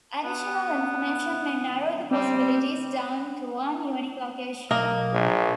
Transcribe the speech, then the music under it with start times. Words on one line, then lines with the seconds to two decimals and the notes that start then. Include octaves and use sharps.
Additional information may narrow the possibilities down to one unique location.
0.24 B3
2.11 G3 C4
4.71 B1 A#3 D#5
5.13 A#1